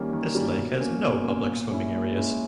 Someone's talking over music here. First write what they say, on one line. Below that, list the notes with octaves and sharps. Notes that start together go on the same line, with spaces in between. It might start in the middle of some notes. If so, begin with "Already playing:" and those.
This lake has no public swimming areas.
Already playing: D#3 G3 A#3 C#4
D#3
G3 A#3 C#4
B2
A#3 C#4
B2
A#3 C#4
A#2
G#3 C#4 E4
A#2
G#3 C#4 E4